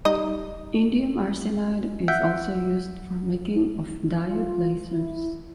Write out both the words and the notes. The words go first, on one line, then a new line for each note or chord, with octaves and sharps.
Indium arsenide is also used for making of diode lasers.
G3 D#4 D#5
E5 F#5 G5
F4
E4